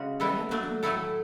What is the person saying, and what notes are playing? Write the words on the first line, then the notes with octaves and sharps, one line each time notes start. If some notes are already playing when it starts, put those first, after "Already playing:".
Where had they come from?
Already playing: C#3 G#3 C#4 F#4
E3 B3 E4 A4
F#3 A3 D4
A2 F#3 A3 E4 A4